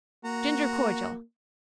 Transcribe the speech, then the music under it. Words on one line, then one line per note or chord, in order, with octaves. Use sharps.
Ginger cordial.
A#3 F#4 A#5